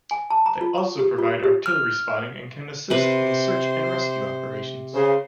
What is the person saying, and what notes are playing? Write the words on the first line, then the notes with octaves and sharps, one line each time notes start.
They also provide artillery spotting and can assist in search and rescue operations.
G#5
A5
A#5
F4
C#6
G4
F4
G4
F6
C3 B4 C5
C#3 G#4 C5